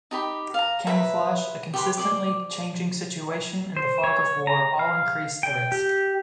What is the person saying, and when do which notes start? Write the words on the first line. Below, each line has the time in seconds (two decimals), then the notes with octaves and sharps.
Camouflage, a constantly changing situation and the fog of war all increase the risk.
0.11 D#4 G4 B5
0.54 F5 A#5
0.87 B4 E5 A#5
1.73 G4 B4 C6
1.98 C5 D5 D6
3.77 C5
4.04 C#5
4.47 A#5
4.79 F5
5.43 G5
5.72 G4